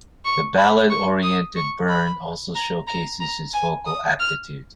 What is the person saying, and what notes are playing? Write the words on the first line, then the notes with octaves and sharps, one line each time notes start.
The ballad-oriented "Burn" also showcases his vocal aptitude.
C#6
B5
C#6
D#6
C#6
B5
A#5
A#5
A#5
G#5
D#6
F6